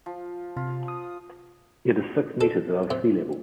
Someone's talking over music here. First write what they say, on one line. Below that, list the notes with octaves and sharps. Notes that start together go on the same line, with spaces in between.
It is six meters above sea level.
F3
C3 F4
D#6
A4
C3